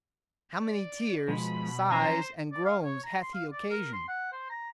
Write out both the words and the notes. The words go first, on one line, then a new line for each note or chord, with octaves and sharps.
How many Tears, Sighs and Groans hath he occasion'd?
D5
B2 F3 G#3 B5
F3 C#4 C5 G#5 A#5
D5
F5
C#5
A#5
C6
F5
D5
A#4
C6
F#5
C5
A#5